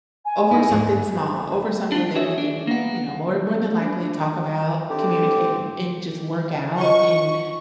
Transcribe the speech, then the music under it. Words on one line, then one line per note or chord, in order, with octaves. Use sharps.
Over something small, over something that we can, you know, more more than likely talk about, communicate, and just work out, and
G#5
D#4 E4
D2 G#2 F3
D4 F4
F#4 G#4 C#5 E5
D4
A#3 B3
D4
D3 C4 G4
F4 D#5 C#6